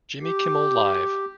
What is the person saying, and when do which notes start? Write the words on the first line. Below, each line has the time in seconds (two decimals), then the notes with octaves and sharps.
Jimmy Kimmel Live!
0.22 G4